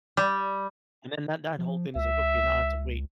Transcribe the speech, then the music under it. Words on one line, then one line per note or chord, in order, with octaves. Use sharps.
and then that that whole thing is like, okay, now I have to wait,
G3
F3
C#2 E5